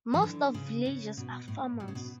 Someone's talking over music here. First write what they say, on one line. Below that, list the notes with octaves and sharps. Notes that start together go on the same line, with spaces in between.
Most of villagers are farmers.
E3
D3
C#3
C#3
B2
A2
B2
C#3
B2